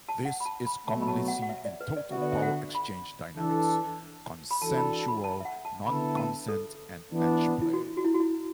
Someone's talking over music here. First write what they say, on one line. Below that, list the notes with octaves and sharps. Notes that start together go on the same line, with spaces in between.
This is commonly seen in total power exchange dynamics, consensual non-consent, and edgeplay.
A5
F#5
B5
A5
B5
B2 F#3 A3 A5
B5
A5
F#5
F#5
E5
D5
B4
D5
D3 B3 F#4 E5
D5
E5
F#5
B5
E3 D4 A4
B5
E3 D4 F#4 A4 A5
B5
A5
B5
A5
E5
F#5
A5
D3 B3 E4 A4 B5
A5
A4
E3 B3 D4
E4
F#4
F#4
E4
F#4
E4